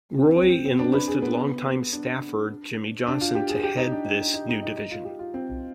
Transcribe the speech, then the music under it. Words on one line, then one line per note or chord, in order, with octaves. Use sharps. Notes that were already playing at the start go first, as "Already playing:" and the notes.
Roy enlisted longtime staffer Jimmy Johnson to head this new division.
C4
C4
C4
C4
D4
B4
G#4
B3
D4
D4
F4
G4
G#4
G4
D#4
D4
D#4
D#4
D#4
D#4
D#4
D#4
F4
G4
F4
C4